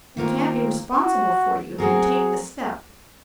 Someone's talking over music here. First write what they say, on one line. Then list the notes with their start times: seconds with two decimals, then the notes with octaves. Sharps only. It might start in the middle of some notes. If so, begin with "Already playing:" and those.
He can't be responsible for you if you take this step.
0.17 D#3 A#3 C4 F4 A#4
0.97 F#4
1.78 F#3 C4 F#4 G#4 A#4